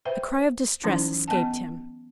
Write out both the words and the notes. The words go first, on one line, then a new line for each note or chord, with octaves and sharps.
A cry of distress escaped him.
B4 C5 E5 G5
E3 F#3 C#4 D#4 E4
B3 D#5 G#5 A5